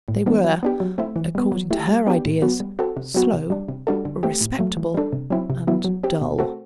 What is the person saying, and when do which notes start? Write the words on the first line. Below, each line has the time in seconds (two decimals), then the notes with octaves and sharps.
They were, according to her ideas, slow, respectable, and dull.
0.08 A2
0.26 E3 G3 B3 D4
0.44 F#3
0.63 B3 D4 G4
0.80 F#3
0.98 A3 C4 E4
1.16 E3
1.35 G3 B3
1.52 F#3
1.71 A3 E4 G4
1.89 G3
2.07 B3 D4 G4
2.25 A2
2.42 F#3 B3 F#4
2.60 G3
2.79 C4 F#4 A4
2.97 C3
3.14 F#3 B3 F#4
3.33 C3
3.50 G3 D4
3.68 C3
3.87 G3 D4 F#4 A4
4.05 D3
4.23 A3 C4 G4
4.41 A2
4.59 F#3 A3
4.77 E3
4.94 G3 D4 A4
5.12 C3
5.30 F#3 C4 E4
5.50 C3
5.67 F#3 B3 E4
5.85 F#3
6.03 C4 G4
6.21 B2
6.39 A3 C4 F#4 A4